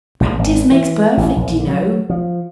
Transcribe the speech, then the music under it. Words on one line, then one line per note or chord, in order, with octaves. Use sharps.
Practice makes perfect, you know.
A#1
G#1
E3
A1
A#1
F#3
F3